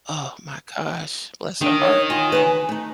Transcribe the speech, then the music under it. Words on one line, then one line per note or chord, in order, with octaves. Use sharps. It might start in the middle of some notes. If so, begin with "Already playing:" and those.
Oh, my gosh, bless her heart.
D#3 D4 G5
C#5
F4 F#5 G#5
B4 F5 F#5
A3 D#4